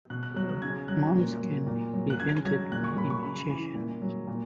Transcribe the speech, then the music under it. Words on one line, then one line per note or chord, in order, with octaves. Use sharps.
Mumps can be prevented by immunization.
B2 F#6
F#6
F#3 F#6
F#6
C#3 G#6
F#3 F#6
A#2
F#3
A#2
F#3
F#6
C#3 G#6
F#3 G#6
A#2 F#6
C#6
F#3 B5
C#6
C#3 B5
E3
A#2
F#3
A#2